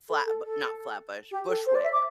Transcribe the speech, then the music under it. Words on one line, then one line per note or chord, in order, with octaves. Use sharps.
Flatbu not Flatbush, Bushwick,
A4
A4
A4
G4
A4
C5
D5
E5
D6